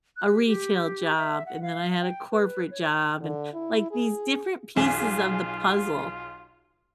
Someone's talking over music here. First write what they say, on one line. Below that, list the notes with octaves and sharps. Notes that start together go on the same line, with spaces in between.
a retail job, and then I had a corporate job, and, like, these different pieces of the puzzle,
F#6
G4
G4
E5
F#5
F5
G5
B4
C#5
D3
E4
G#4
B1 F4 G#4 B6